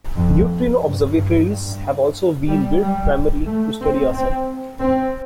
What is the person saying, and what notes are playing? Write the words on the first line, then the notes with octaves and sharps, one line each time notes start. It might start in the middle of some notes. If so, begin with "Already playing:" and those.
Neutrino observatories have also been built, primarily to study our Sun.
F2
G2
G2
G2
G3
G3
A3
C4
C4
C4